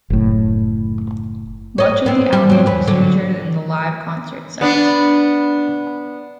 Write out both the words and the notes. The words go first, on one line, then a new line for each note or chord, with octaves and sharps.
Much of the album was featured in the live concert sets.
F#1 A2
C#5 D#5
B3 C4
G3
F#3 C4
E2 B4
D3 F#3
B3 D4